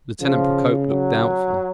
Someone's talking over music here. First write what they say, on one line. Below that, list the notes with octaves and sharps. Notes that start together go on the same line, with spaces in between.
Lieutenant Procope looked doubtful.
C#3 F3
F#3